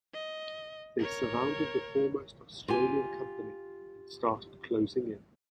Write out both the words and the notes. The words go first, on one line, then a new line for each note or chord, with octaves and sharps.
They surrounded the foremost Australian Company and started closing in.
D#5
A#4 C#5
F4 G4 G#5